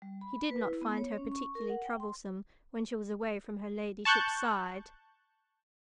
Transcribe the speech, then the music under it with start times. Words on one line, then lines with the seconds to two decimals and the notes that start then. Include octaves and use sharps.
He did not find her particularly troublesome when she was away from her ladyship's side.
0.02 G3
0.21 B5
0.51 B4
0.64 E4
0.81 B3
0.98 C#5
1.18 C#4
1.32 C#6
1.55 A#4
1.69 F#5
1.85 G5
2.00 C6
4.05 A5 C#6 F#6 G6